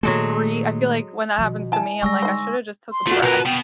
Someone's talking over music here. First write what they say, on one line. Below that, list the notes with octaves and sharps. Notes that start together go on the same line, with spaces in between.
brea I feel like when that happens to me, I'm like I shoulda just took a breath
A#2 D#3 F#3 G#3 A3 A4
B2 D#3 F3
E4 G#5 A5
D3 G3 G#3 C#6 E6 A#6
D#4 C5
C6
A3 D4 F4 F#4
B2 A#4 B4
B2 G5